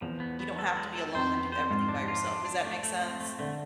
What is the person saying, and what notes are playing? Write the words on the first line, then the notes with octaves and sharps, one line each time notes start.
you don't have to be alone and do everything by yourself." Does that make sense?
E2 F3
B3
B3
A4
G#3
A4
F2 C5
B3
C5
G#2 F4
D4
F4
D4
D4
A3
A3
C4
A3
D3 A3